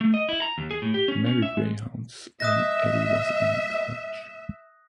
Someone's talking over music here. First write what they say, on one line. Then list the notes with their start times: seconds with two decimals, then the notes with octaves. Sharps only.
Marie Greyhounds when Eddie was in college.
0.01 A3
0.14 D#5
0.29 E4
0.42 A#5
0.58 D#2
0.71 G#4
0.82 A2
0.94 G4
1.08 C#4
1.26 C#4
1.42 E5
1.57 G#3
2.40 D#5 E5 D#6 F#6 A#6